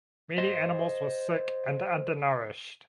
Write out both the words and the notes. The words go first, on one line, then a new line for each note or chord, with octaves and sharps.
Many animals were sick and undernourished.
C5 D#5